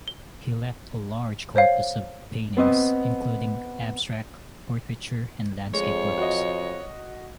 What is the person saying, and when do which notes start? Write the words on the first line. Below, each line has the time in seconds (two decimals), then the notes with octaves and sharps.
He left a large corpus of paintings, including abstract, portraiture and landscape works.
0.08 G7
1.56 C5 C#5 F5
2.57 B3 C4 D#5
5.74 F2 G#3 C#5
6.18 F#4 D#5